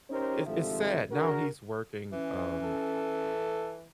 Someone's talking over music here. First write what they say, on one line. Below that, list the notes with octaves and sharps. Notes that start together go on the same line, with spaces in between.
I it's sad! Now he's working, um,
C#4 D#4 G4 A#4 C5 C#5
G#1 G2 C3 F3 A4 E5
D4 F#4 G#4 A#4
E3 C#4
A4